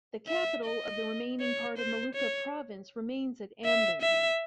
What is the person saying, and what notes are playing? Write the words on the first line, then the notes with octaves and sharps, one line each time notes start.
The capital of the remaining part of Maluku province remains at Ambon.
E5
D#5
C#5
C5
C#5
E5
E5